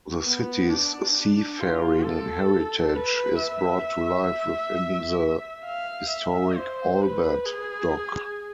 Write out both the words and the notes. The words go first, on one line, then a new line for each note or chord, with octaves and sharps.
The city's seafaring heritage is brought to life within the historic Albert Dock.
B3
D4
D4
F4
A4
B4
E5
F5
E5
C5
B4
G#4